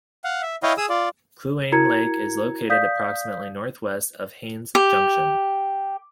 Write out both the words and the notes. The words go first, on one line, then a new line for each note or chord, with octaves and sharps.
Kluane Lake is located approximately northwest of Haines Junction.
F5 F#5
E5
E4 C#5 D#5 F5 G5
G#4 D#6 E6
F4 D5
E4 F#4 A#4 A#5 G#6 C#7
D5 F5 D#6 G6 B6
G4